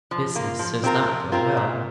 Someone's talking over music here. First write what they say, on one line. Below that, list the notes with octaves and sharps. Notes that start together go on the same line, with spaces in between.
'Business does not go well.
F3
A#3 F4
F3
C4 F4 A#4
F3
C4 F4 A#4
A#2